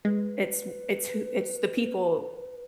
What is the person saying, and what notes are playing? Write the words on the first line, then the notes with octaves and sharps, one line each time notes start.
it's w it's who it's the people
G#3 B4